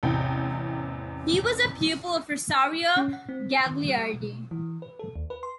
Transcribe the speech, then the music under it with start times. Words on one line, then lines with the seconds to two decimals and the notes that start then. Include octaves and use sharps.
He was a pupil of Rosario Gagliardi.
0.03 A1 E2 C3 G5
2.97 C#4
3.13 F#5
3.29 C4
3.66 D#3
3.88 G3
4.14 B2
4.51 E3
4.82 B4
4.99 A4
5.16 D#2
5.30 B4
5.43 C6